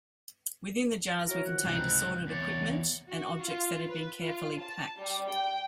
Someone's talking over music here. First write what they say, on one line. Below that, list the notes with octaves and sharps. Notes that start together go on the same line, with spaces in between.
Within the jars were contained assorted equipment and objects that had been carefully packed.
E4 F#4 A#4 C#5
D#3 F3 F#5
C#2 G#2 C3 C4
E2 C#5 D5
F#4
F4
B4
F4
A5
G3
G5